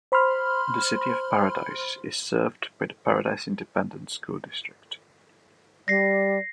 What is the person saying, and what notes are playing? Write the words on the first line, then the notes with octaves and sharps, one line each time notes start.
The City of Paradise is served by the Paradise Independent School District.
C5 B5 C6 F6
G3 D5 A#6 C7